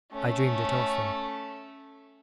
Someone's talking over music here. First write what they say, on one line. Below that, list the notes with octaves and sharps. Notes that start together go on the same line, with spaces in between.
I dreamed it often.
A3 C#4